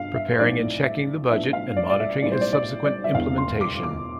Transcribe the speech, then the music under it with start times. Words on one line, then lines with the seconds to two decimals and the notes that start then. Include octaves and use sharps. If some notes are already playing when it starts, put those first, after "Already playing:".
Preparing and checking the budget and monitoring its subsequent implementation.
Already playing: G1 F5
0.15 E5
0.31 C5
0.39 B1 A2 F3 C4 E4 D5
0.84 E5
1.31 A2 F3 B3 D4 E5
1.53 F5
1.76 D5
1.90 D5
2.00 E5
2.22 B1 A2 G3 B3 E4 D5
2.32 C5
2.41 D5
2.53 D5
2.84 D5
3.04 E5
3.14 E1 E2 D3 F5
3.38 C6
3.61 D6
3.83 D6